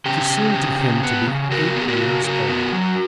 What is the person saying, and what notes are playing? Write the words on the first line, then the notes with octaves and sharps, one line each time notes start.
She seemed to him to be eight years old.
C#3 G4
C#3
C#3
C#3
B3
C#3
C#3 F#4 A#4
B3
G4
F#4 A#4
C#3
C#3 F#4 A#4
B3
F#3